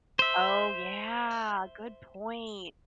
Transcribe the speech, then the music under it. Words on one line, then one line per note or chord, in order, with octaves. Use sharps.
Oh, yeah, good point.
C5 E5